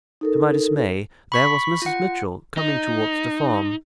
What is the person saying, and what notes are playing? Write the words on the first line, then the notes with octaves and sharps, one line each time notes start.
To my dismay, there was Mrs. Mitchell coming towards the farm.
D#4 A4 A#4
B5 C#6 B6
F4 F#5
D#4